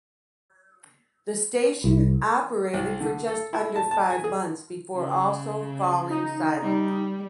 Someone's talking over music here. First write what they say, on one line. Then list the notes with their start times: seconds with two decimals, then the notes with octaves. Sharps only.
The station operated for just under five months before also falling silent.
1.84 C2
2.74 C2
3.00 D3
3.28 A4
3.53 E4
3.76 A5
3.91 A5
4.10 G#5
4.24 G#4
4.96 C#3
6.10 D#4
6.62 G3